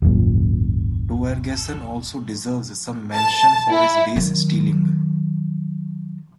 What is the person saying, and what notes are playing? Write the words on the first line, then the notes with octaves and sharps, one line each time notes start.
Torgeson also deserves some mention for his base stealing.
D#1 G#1 F#2 A#2
A5
E4
D#3 F#3